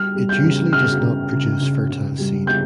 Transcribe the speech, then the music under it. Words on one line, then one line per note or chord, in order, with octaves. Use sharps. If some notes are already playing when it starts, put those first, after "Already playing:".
It usually does not produce fertile seed.
Already playing: G3 F6
G3
G6
C#3
C#3 F6
C#3
C#3
C#3
C#3
G3
G3 G6